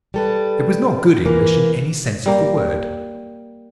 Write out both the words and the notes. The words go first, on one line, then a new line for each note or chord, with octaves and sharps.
It was not good English in any sense of the word.
G3 A4 B4
E3 A#3
G3 A#3